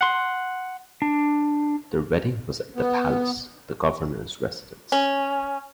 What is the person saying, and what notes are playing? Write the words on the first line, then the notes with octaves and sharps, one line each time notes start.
Their wedding was at the Palace, the governor's residence.
F#5 C6
D4
B3
C#4